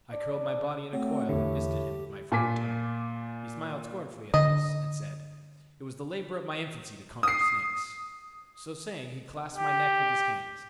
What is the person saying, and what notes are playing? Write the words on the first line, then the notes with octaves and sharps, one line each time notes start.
I curled my body in a coil and hissed at him with my forked tongue. He smiled scornfully at this, and said, 'It was the labor of my infancy to conquer snakes.' So saying he clasped my neck with his hands.
D4
F#3 A3 C4
E2 A2 D3 G4
A#2 G#5 D6 B6
D3 D#5
D#6 C7
G4